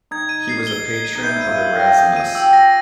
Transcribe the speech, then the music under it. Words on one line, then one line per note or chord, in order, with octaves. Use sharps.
He was a patron of Erasmus.
D#4 G#6
D#7
C7
G7
G#6
D#7
D#4
E4 G6
E4 D#7
F4
E6
G4
A#6
G#4 G6
D#7
G4 E6
A#6